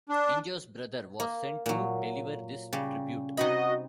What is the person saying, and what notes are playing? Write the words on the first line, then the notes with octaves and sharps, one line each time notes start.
Injo's brother was sent to deliver this tribute.
D4
A#3
A#2 F#3
C#3 G3
C3 D#4 F#4 D#5 B5